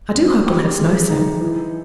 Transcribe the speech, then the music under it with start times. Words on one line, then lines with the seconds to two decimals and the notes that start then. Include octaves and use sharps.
I do hope we'll have snow soon.
0.15 C4
0.46 G4
0.78 G#3
1.09 D#4
1.41 E3